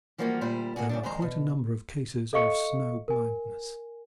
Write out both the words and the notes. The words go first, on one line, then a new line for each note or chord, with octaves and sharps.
There are quite a number of cases of snow blindness.
E3 F3 G3 A#3 F4 F#4
D2 A#2 G3 E4 C5
A#3 C4 D4 F#4 G#4
C#3 G3 D4
F2 D#3 G#3 C5 A#5
B2
A4 D#5 F5 C#6 C#7
A#4 G#5